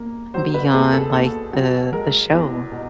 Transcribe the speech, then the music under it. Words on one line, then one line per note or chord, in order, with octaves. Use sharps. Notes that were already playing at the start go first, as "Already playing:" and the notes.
beyond, like, the the show.
Already playing: A#3
F#3 C5
B4
D#2 G#4
A4
D#2 A4
F#3
G#3 A#4
E2
B2